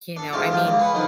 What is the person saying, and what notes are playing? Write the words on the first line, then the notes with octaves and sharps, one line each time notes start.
You know, I mean,
D4 A4
D2 G#2 G#3 F4 G4 A5
F3 D4 F4 G4 E5
C#2 A#3
G#4 B4 F#5
D3 D#3 F3 B3 D#4